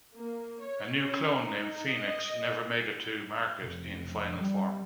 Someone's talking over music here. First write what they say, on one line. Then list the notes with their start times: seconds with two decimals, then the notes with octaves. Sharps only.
A new clone named Phoenix never made it to market in final form.
0.16 A#3
0.62 C#5
0.97 C#4
1.43 D#4
1.89 D#5
3.59 F1
4.38 G3